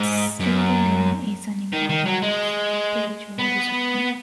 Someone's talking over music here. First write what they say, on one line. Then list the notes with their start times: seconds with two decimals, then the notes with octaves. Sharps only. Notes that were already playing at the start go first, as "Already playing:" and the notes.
Slowing Down is an important spiritual discipline.
Already playing: G#2
0.40 F#2
1.73 D#3
1.89 D#3
2.05 F#3
2.22 G#3
3.39 B3